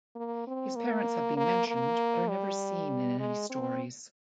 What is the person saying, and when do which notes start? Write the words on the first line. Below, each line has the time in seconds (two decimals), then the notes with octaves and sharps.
His parents have been mentioned but are never seen in any stories.
0.16 A#3
0.47 C4
0.76 A#3
1.37 A#3
1.67 A#3
2.29 G3
3.19 G#3
3.50 C4